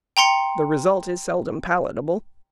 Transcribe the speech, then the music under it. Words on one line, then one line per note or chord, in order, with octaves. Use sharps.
The result is seldom palatable.
G5 A#5 C6 C#7